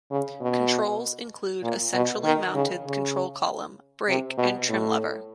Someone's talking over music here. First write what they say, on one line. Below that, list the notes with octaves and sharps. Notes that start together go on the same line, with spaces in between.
Controls include a centrally mounted control column, brake and trim lever.
C#3
B2
A#2
B2
D#3
C#3
C#3
C3
B2
A2